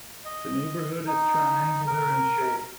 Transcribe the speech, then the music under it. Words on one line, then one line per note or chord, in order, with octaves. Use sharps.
The neighbourhood is triangular in shape.
D#5
D#4
A#4